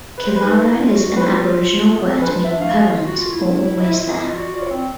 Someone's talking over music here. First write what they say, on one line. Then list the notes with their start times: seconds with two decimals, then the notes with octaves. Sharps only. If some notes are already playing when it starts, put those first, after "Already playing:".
Killara is an Aboriginal word meaning "permanent" or "always there".
0.18 B4
0.27 C5
0.36 B4
0.43 D#4
0.70 E4
0.82 F4
0.96 F#4
1.09 F#4
1.15 F4 B4
1.21 E4 C5
1.30 F4
1.97 B3
2.06 C4
2.17 C#4 B4
2.27 D4 C5
2.44 D4 E5
2.61 A3 F5
2.80 B3
2.92 F4
3.05 F#4
3.19 F4
3.32 E4
3.79 D#5
3.83 E4 E5
3.92 F4
4.00 E4
4.10 F4 D#5
4.16 E4
4.24 F4
4.36 F#4 D5
4.54 F4 D5
4.62 C#5
4.70 C4